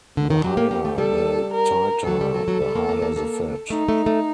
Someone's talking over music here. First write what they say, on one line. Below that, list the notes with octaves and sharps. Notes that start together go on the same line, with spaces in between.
The higher the titer, the harder the fat.
D3
D#3
F#3 G4
A#3
A#3
A3
G3 A4
A#4
F#3 A4
G3
F#3
F#3
G3
A#3
A#3
A#3
A#3
A3 D#4
A3
A3